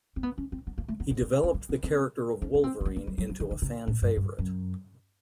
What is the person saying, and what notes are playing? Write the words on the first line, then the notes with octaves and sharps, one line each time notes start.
He developed the character of Wolverine into a fan favorite.
C4
B3
C#4
C4
B3
A#3
A3
B3
B3
C4
C4
A#3
B3
C4
C#4
C#4
C4
C4
B3
A#3
G3
F#3
F3
D#3
D3
C3
A2
G2
G2
F#2